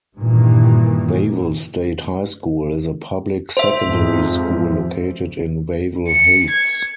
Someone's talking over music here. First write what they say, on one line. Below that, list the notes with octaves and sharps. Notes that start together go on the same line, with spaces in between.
Wavell State High School, is a public secondary school located in Wavell Heights.
G2 A#2 D#3 E3
C5 E5
F2 G#2
C#7
G#6